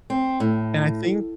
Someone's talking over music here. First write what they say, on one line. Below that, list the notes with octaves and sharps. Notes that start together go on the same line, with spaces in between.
And I think
C4
A2